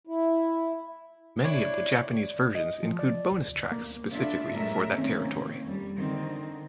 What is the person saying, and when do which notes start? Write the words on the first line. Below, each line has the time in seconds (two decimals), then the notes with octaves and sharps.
Many of the Japanese versions include bonus tracks specifically for that territory.
0.07 E4
1.44 D4 E4 C#5
2.55 D#5
2.83 F3
2.99 D5
3.32 C#2
3.48 D2
3.72 A#3
4.11 A3 B3 D4 F4 E5
4.53 F#2 A2 G#3 A3 A#4 E5
4.93 D#3 A#3 C4 C#4
5.65 F2 G3
5.96 D3 D#3 C4